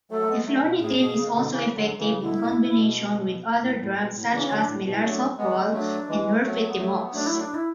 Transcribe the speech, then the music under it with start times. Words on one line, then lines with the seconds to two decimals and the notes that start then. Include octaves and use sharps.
Eflornithine is also effective in combination with other drugs, such as melarsoprol and nifurtimox.
0.11 F#3 A3 A4
0.21 A3
0.28 G#3 B3
0.46 F#3 A3
0.63 B2
0.81 A2 G#4
0.99 B2
1.16 C#3
1.34 B2 D3
1.51 C#3 E3
1.74 D3 F#3
1.98 C#3 E3
2.22 B2 D3 E4
2.39 B2
2.57 B2
2.74 B2
3.62 A2
3.80 A2
3.97 B2
4.15 A2
4.32 C#3 E3 D4
4.44 C#4
4.50 D3 F#3
4.57 D4
4.68 A2
4.85 B2
4.92 E4
5.02 F#3 A3 D4
5.38 G#3 B3
5.61 G#3
5.73 F#3 A3 D4
6.08 E3 G#3
6.43 F#3 A3
6.68 B3
6.78 F#3 A3
7.03 B3
7.13 F#3 A3 D4
7.27 F#3 A3 E4
7.40 D4
7.55 E4